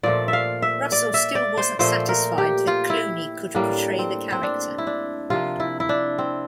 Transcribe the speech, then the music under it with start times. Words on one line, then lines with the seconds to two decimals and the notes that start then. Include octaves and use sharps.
Russell still wasn't satisfied that Clooney could portray the character.
0.03 A#2 F3 A3 D5
0.28 E5
0.33 F5
0.62 E5
0.92 D5
1.14 E5
1.35 D5
1.57 C5
1.79 A#2 F3 A3 C5
2.09 A#4
2.38 G4
2.67 F4
2.90 E4
3.55 A2 G3 A#3 D4
3.99 C4
4.32 C4
4.43 D4
4.78 E4
4.87 D4
5.30 C3 F3 A#3 F4
5.60 E4
5.80 E4
5.89 D4
6.18 C4